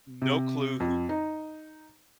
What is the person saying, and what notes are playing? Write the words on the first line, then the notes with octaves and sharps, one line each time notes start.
No clue who
C3
F2
D#4